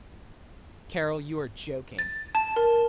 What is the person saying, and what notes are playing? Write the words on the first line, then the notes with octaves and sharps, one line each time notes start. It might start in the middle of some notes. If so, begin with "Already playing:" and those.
"Carol, you are joking."
A6
A5
A#4